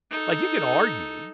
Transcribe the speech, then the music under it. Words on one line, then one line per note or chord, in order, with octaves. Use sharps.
like, you can argue
D#4 A4